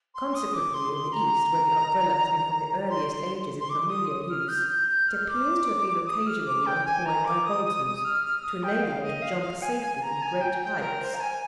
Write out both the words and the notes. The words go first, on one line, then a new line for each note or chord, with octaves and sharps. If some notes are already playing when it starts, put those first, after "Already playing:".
Consequently, in the East, where the Umbrella has been from the earliest ages in familiar use, it appears to have been occasionally employed by vaulters, to enable them to jump safely from great heights.
C6
D#6
D6
C6
C6
A#5
C6
C6
D6
D#6
D#6
F6
G6
G6
G6
F6
D6
D#6
F6
D6
G5
G#5
A#5
D6
D#6
D#6
D#6
F6
F6
D#6
G5
F5
D#5
F5
F5
G#5
G#5
G#5
A#5
G#5
G5
G5
A#4
C5
A#5
G#5